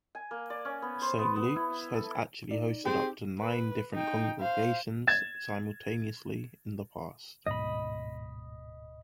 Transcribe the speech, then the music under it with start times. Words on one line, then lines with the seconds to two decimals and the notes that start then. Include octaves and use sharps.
Saint Luke's has actually hosted up to nine different congregations simultaneously in the past.
0.15 G#5
0.31 A#3
0.50 D5
0.65 C#4
0.82 B3
1.02 C5
1.19 B3
1.36 B3
1.56 E4
1.94 A4
2.51 D#4 D5
2.85 C4 G4 G#4
3.40 B4
3.93 D#4 G5
4.40 C5 F5
5.07 G#6 A6 E7
7.47 D1 G#2 B2 D#5 B5